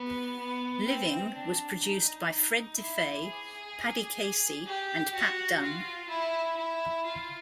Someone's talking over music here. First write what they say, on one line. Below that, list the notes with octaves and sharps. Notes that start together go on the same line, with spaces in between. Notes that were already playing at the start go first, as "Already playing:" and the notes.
"Living" was produced by Fred De Faye, Paddy Casey and Pat Donne.
Already playing: B3
B3
C4
D4
D#4
D#4
E4
G#4
G4
F#4
F4
E4
E4
F4